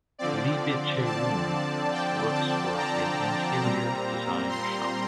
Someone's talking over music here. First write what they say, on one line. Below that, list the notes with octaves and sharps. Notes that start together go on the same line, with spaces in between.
Lee Bit Chae Woon works for an interior design shop.
D3 F3 C4 D5
A5
G5
A5
A#5
A#2 G3 C4 A#5
C6